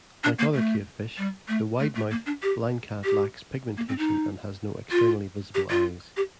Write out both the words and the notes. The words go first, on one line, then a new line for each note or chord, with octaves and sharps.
Like other cavefish, the widemouth blindcat lacks pigmentation and has no externally visible eyes.
D4
A#3
A3
G3
A3
A3
A3
A#3
D4
G4
G4
A#3
C4
D#4
F4
G4
F4
G4